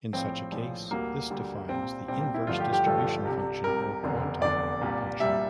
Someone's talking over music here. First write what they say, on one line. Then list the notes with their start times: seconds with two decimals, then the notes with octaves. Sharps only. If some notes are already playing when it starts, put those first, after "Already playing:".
In such a case, this defines the inverse distribution function or quantile function.
0.13 A#1 A2 F3 C4
0.52 A#1 A2 F3
0.91 D2 D3 G3 A#3
1.30 D2 D3 G3
1.69 C2 A#2 G3 C4
2.08 C2 A#2 G3 C4
2.21 C4
2.34 E4
2.47 A1 G2 D3 F3 A3 F4
2.60 G4
2.73 G4
2.86 A1 G2 D3 F3 A3 A4
3.25 C2 C3 G3
3.64 C2 C3 G3 A#4
4.03 F1 E2 D3
4.42 F1 E2 D3 D5
4.81 C2 A#2 G3
5.20 C2 A#2 G3 E5